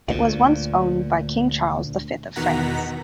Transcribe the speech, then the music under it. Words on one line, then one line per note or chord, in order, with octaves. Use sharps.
It was once owned by King Charles the Fifth of France.
D2 A#2
E2 B2 D#3 F#5 A#5 B6